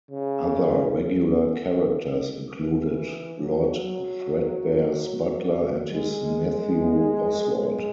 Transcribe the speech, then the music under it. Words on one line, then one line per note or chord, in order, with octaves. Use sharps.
Other regular characters included Lord Threadbare's butler and his nephew Oswald.
C#3
E3
F#3
F#3
G#3
G#3